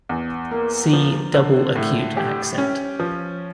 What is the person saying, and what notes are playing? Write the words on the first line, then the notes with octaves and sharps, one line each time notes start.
See double acute accent.
E2
A#3
F3
D3
A2
G4
C#4
F3